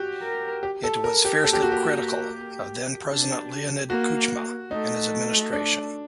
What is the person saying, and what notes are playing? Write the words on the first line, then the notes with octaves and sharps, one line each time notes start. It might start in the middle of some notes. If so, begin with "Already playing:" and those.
It was fiercely critical of then-President Leonid Kuchma and his administration.
Already playing: F#4 G4
A#4
G4
A4
A#4
G4
A#3 A4
G4
F#4
G4
D4
A#3 F#4
A3 D#4
D4